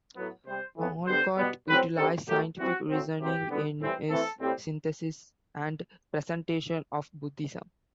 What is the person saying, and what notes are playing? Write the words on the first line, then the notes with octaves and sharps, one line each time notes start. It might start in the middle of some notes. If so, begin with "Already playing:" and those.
Olcott utilized scientific reasoning in his synthesis and presentation of Buddhism.
A2 F#3 B3
C3 G3 C4 C5
A2 E3 B3
D3 G3 B3 C5
B2 G3 B3
A2 F#3 C4 B4
D3 G3 C4 A4
A2 F#3 A3 G4
E3 G3 C4 F#4
A2 F#3 C4
C3 F#3 C4 G4
D3 G3 B3
A2 E3 G3 C4
E3 A3 C4 A4
A2 G3 C4